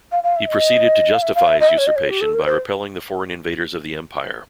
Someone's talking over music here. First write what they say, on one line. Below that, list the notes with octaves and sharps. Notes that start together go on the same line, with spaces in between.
He proceeded to justify his usurpation by repelling the foreign invaders of the Empire.
F5
F5
E5
D#5
F5
E5
F5
E5
D#5
E5
C#5
D#5
C#5
G4
A4
A#4
C#5
C5